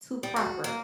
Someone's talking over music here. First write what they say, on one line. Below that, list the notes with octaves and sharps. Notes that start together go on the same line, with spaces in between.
too proper
G3
F#4
A#3